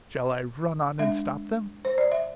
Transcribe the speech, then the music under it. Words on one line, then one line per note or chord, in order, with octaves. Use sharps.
"Shall I run on and stop them?"
G#3 D4 E5
C5
D5
E5